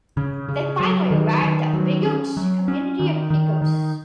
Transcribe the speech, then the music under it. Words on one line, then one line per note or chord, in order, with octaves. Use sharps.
They finally arrived at Bigotes's community of Pecos.
C#3
C#3
F#3
D#3
D#3
F#3
C#4
F#3
C#4
D#3
D#3
D#3